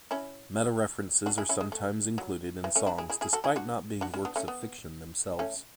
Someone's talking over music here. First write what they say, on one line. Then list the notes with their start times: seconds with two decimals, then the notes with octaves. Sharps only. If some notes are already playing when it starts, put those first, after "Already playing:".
Meta-references are sometimes included in songs, despite not being works of fiction themselves.
0.11 C#4 E4
1.26 D4 F#4
1.38 E4 G#4
1.49 C#4 E4
1.61 G#3
1.72 A3
2.18 F#3
2.64 E3
2.76 A3 C#4
2.87 D4 F#4
2.98 E4 G#4
3.10 E4 G#4
3.21 E4 G#4
3.33 F#4 A4
3.44 E4 G#4
3.56 D4 F#4
4.01 D4 F#4
4.14 C#4 E4
4.25 B3 D4
4.36 A3 C#4
4.48 B3
5.39 A3 C#4